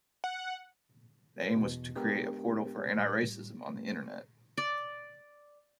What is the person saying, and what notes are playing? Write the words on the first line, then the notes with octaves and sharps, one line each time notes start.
The aim was to create a portal for anti-racism on Internet.
F#5
E2 B2
G#3 B3 D4 G4 A#4
A2 G3
D5